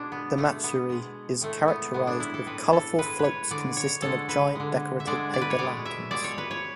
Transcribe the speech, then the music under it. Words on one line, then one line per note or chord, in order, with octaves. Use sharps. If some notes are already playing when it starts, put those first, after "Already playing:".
The matsuri is characterized with colourful floats consisting of giant, decorative paper lanterns.
Already playing: B2 G#3 D4
B3
B2 G#3 A3
B3
B2 G#3
A2 G#3 A3
B3
A2 G#3 B3
D4
E4
A4
A2 G#3 B4
A4
A2 G#3 B4
B4 C#5
D3 G#3 D5
C#5
D3 G#3 A4
B4
D3 G#3
E5
D3 G#3 D5
D5
B4
C#5
B2 G#3 D5
E5
B2 G#3 D5
C#5
B4
C#5